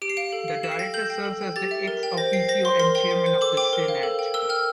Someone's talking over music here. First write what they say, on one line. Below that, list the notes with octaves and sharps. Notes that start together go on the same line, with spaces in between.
The director serves as the ex-officio and chairman of the senate.
G4 D7
C7
F5 D7
A4
F5
A4 E7
C7
G5 A#6
A4 G6
G5
A4
G5
G4 A6
E5
A#4
G5
C5 A#6
G5 C7
C5 A#6
C5 C6
A#4 C6
G5 C6
C5
C5
A4 D6
G5 D6
A#4
F5
A4
G5
A#4 E6
G5 F6